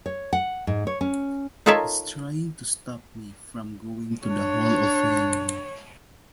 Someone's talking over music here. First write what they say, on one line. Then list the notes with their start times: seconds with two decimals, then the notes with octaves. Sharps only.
He's trying to stop me from going to the Hall of Fame.
0.06 C#5
0.33 F#5
0.67 G#2
0.87 C#5
1.01 C#4
1.66 D#4 F4 A4 A#4 C#5 E5
4.28 D4 C#5